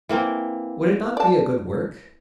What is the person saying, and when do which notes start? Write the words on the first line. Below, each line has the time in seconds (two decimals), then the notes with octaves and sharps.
Would it not be a good work?
0.09 E3 A#3 C4
1.17 D5 A5